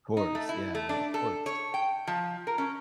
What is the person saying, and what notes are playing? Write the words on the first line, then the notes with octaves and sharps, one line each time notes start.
Of course. Yeah. Of course.
D#4
A3
E4
A3
D4
A4
C#5
G5
F3
A#4
C#4